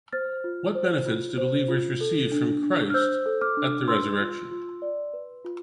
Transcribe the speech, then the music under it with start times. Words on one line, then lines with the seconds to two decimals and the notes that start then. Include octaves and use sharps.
What benefits do believers receive from Christ at the resurrection?
0.13 C5 F6 A6
0.44 F4
0.75 C5
1.06 F4
1.38 C5
1.68 F4
2.01 A4
2.32 D4
2.63 D4
2.90 F6
2.94 C5 E6 G6
3.26 A4
3.41 D6 F6
3.57 D4
3.88 B4 C6 E6
4.20 F4
4.51 F4
4.82 D5
5.14 B4
5.45 F4